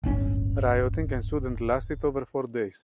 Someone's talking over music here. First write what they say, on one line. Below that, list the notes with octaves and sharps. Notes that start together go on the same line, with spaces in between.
Rioting ensued and lasted over four days.
D1 G1 C#4